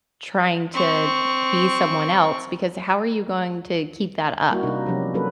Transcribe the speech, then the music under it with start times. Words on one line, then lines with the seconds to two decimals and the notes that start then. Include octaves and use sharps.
trying to be someone else, because how are you going to keep that up,
0.74 C4 C#6
4.50 G3 A#3 E4 F#4
4.63 C3 D4 D#4
4.86 C3 F3 F#3 C#4 G4
5.14 F#3 A#3 C#4 F#4 A4 B4